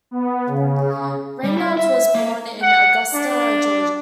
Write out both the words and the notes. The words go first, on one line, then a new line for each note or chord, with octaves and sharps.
Reynolds was born in Augusta, Georgia.
B3
C#3
G3
E4
E5
A#3
F#5
D4